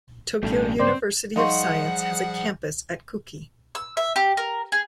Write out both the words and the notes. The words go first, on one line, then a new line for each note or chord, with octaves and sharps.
Tokyo University of Science has a campus at Kuki.
A1 B2 G3 A3 C#4 D4 G4
G2 C#3 G#3 C4 C5 D5
F3 G3 D#4 G#4 F5 F#5 C6 C#6
E6
E5
G4
A#4
G#4